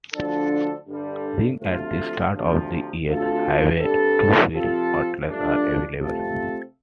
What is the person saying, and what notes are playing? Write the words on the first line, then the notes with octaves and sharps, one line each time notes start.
Being at the start of the Eyre Highway, two fuel outlets are available.
D2 D3 F3 D4 A4
G2 D3 G3
D2 C3 F3 A3 F4
D2 C3 F3
D2 C3 A3 F4 A4
G2 G3 C4 A4
C3 F3 C4 F4 A4
G2 F3 A3 D4
C3 A3 C4 F4 A4